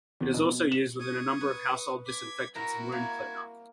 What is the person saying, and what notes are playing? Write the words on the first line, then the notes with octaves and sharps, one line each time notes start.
It is also used within a number of household disinfectants and wound cleaner.
E2
F1
B2
E7
C#6 D#6 G#6
B4
D6 G#6 B6
E4 F#4 A#4 E5 A#6
A#3 G#6